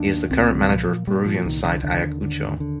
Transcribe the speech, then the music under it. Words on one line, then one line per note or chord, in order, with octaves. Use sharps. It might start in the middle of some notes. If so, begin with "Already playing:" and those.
He is the current manager of Peruvian side Ayacucho.
Already playing: D#2 D4
C2 C4
D3
D#3
A#2 F3
A#2 G3
F3
C2 D#3
D3
D#2 D3
D3
D3